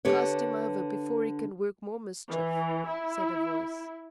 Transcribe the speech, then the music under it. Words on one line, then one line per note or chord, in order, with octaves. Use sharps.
"Cast him over before he can work more mischief," said a voice.
D3 G4 B4 C#5
E3
E4